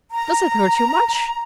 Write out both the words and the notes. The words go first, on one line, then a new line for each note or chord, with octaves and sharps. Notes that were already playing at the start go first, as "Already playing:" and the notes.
Does it hurt you much?
A#5